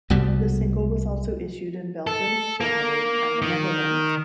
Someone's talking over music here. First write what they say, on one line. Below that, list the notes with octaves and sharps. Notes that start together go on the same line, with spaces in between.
The single was also issued in Belgium, Germany and the Netherlands.
C2 B2 G3
A4
A#3
D#3